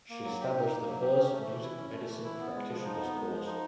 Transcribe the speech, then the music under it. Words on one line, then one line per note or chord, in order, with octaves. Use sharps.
She established the first music medicine practitioners course.
A#3
F#3
G4
D#4
A#3
F#3
G4
C#4
A3
E3
E4
C#4
A3
E3
E4
B3
G#3
F3
D#4
B3
G#3
F3
D#4